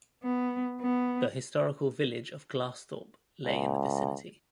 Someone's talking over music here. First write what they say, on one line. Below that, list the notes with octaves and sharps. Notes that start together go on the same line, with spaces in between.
The historical village of Glassthorpe lay in the vicinity.
B3
B3
C#2